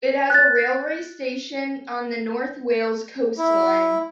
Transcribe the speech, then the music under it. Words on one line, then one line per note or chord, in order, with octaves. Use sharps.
It has a railway station on the North Wales Coast Line.
F#6 A6
E4